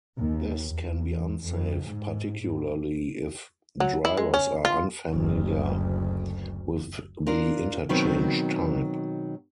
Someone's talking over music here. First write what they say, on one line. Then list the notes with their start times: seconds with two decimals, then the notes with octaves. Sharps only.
This can be unsafe particularly if drivers are unfamiliar with the interchange type.
0.18 D#2
0.67 E2
1.45 F2
1.86 G#2
2.41 G#2
3.80 F#3
4.05 E4
4.17 G#3
4.34 C#4
4.65 F4
5.12 F#1 D2
7.27 D4 F4 A#4
7.89 B2 D#3 F#3 B3 C4